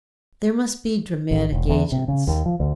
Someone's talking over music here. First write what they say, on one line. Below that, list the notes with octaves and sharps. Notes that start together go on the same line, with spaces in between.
"There must be dramatic agents."
A1
E1
E2
C3
C#3
D#2
F3
D2